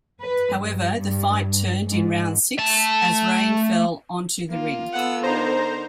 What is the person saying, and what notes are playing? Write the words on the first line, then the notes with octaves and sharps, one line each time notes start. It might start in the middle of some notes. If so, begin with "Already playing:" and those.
However, the fight turned in round six, as rain fell onto the ring.
B4
G2
G2
G#2
A3 A5
A#3 F4
B3 A4 F#5 E6
D3 D#4 A#4 C5 A#5